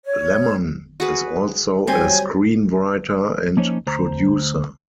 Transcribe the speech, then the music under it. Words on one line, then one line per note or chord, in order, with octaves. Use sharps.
Lemmon is also a screenwriter and producer.
C#5
F#4 G#4 B4
F#3 G3 C4 C#5 G#5
F3 A#3 C#4 D#4 C5 C#5
D2 C5 A#5